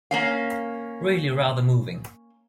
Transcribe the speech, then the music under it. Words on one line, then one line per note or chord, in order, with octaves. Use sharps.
Really rather moving.
A#3 C#4 F5